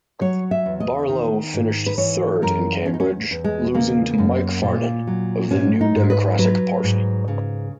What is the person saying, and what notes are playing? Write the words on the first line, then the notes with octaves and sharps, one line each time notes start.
Barlow finished third in Cambridge, losing to Mike Farnan of the New Democratic Party.
F#3 C#5
E5
E2
D#5
D#3
G#2
B4
E3 C#5
F#2 A#4
E2 C#4
D#4
C#4
E2
G#3
C#3 A#3
F#2
A#2
F#3
G#2 C#4
D#4
G#2
B4
F#3 B4
G#2
C#3